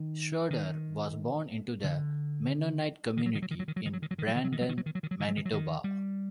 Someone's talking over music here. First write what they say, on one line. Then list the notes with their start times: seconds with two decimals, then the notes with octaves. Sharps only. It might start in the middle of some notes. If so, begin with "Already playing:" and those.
Schroeder was born into the Mennonite community in Brandon, Manitoba.
Already playing: D#3
0.50 D#3
1.84 D3
3.17 D#3
3.26 F#3
3.35 D#3
3.42 F#3
3.51 D#3
3.60 F#3
3.68 D#3
3.76 F#3
3.86 D#3
3.93 F#3
4.02 D#3
4.11 F#3
4.18 D#3
4.28 F#3
4.36 D#3
4.44 F#3
4.52 D#3
4.61 F#3
4.69 D#3
4.78 F#3
4.86 D#3
4.95 F#3
5.03 D#3
5.11 F#3
5.20 D#3
5.28 F#3
5.37 D#3
5.45 F#3
5.53 D#3
5.84 G3